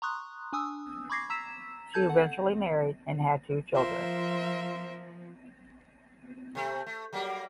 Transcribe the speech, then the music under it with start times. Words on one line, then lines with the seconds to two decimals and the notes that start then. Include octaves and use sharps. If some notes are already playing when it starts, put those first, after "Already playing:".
She eventually married and had two children.
0.02 A#5 C6 C#6 D#6 F#6
0.53 D4 G#5 D#6 E6
1.10 B5 C#6 D6 G#6 A#6 C7
1.30 A#5 E6 B6 E7
1.94 A4 A5 G6 G#6
2.09 F#5
3.73 F3 F4 A#4 C5 E5
6.55 C3 A3
6.86 A3
7.13 F#3 G3 A#3